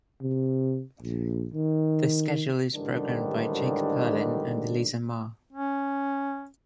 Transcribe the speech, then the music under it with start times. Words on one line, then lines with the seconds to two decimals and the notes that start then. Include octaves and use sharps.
The schedule is programmed by Jake Perlin and Aliza Ma.
0.22 C3
1.02 A#1
1.54 D#3
2.75 A1 G#2 D3 D#3 G3 D4
5.53 C#4